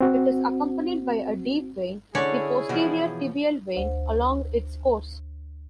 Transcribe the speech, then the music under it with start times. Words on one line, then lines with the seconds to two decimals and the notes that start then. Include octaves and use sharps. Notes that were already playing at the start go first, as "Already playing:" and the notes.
It is accompanied by a deep vein, the posterior tibial vein, along its course.
0.01 C4 F#4
2.15 D3 C#4 E4 G#4 C#5 D5
2.69 B2 E3 F3
3.75 D2 C5